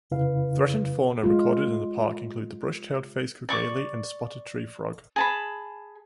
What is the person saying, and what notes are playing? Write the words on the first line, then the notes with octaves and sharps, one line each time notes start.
Threatened fauna recorded in the park include the Brush-tailed Phascogale and Spotted Tree-Frog.
F2 C#3 E4 B4 F5
G#3 F4
D5 C#6 D6
G#4 A5 B5